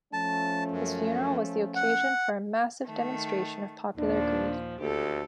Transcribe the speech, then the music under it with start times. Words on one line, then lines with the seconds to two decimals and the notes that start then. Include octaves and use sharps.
His funeral was the occasion for a massive demonstration of popular grief.
0.13 F3 A3 C#4 A5
0.71 F#2
1.76 F#5
2.86 D#3 A3
3.98 D#2 A#2 F3 D4
4.80 D2 G4 A4